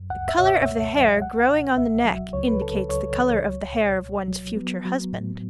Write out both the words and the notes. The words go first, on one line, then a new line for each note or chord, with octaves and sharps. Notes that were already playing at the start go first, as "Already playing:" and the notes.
The color of the hair growing on the neck indicates the color of the hair of one's future husband.
Already playing: F#2
C#2 F#5
E5
B2 C#5
E5
C#2
F#3
C#2 F#5
B2
C#2 E5
F#3
C#2 C#5
B4
C#3 A4
C#2 C#5
E3
C#2
B2
C#2
F#3
F#3 B3
F#3
A2